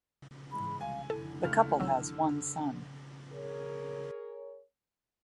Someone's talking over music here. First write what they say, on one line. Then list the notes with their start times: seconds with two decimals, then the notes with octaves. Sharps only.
The couple has one son.
0.52 G#2 E3 G#3 B5
0.81 C2 F5 G#5
1.10 F1 D3 E4 A4
1.43 C#2 A3 F6
1.80 G#1 F#3 E6
3.32 G#4 A#4 C#5